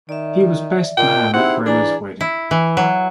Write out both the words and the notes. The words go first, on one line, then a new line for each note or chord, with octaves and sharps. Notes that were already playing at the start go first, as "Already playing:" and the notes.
He was best man at Bremner's wedding.
D#3 D5 E5
A#2 D#5 G5
C4 D#4 E4 G4 G#4 F#5
E3 D4 G#4 D5 G#5 A#5
E4
E3
F#3